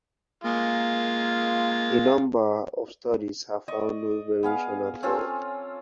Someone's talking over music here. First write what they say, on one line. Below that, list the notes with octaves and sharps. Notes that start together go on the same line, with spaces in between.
A number of studies have found no variation at all.
G#3 A#3 F4
D5 D#5 C#6
B3 G#4 F5
C4 C#4 F4 A4